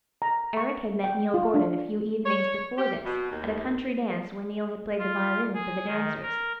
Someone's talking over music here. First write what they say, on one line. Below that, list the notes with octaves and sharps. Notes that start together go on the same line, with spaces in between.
Eric had met Neil Gordon a few evenings before this, at a country dance where Neil had played the violin for the dancers.
A#5
C#6
G5
F4
D4
C#5
G4
B2
D#2
F4
G#4
D#3
A#4